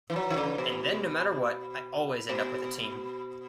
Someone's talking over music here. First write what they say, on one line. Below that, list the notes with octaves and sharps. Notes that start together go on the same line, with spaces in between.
And then no matter what, I always end up with a team.
E3
F#3
D#3
C#3
B2
B2